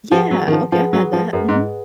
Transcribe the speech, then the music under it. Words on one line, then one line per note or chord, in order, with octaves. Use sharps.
Yeah. Okay. I've had that. Mhm.
F3 G#4 B4 F#5
F#3
D#3
F3
F3 G#4 B4 F#5
F#3
F3
F#2 G#4 B4 F#5
G#2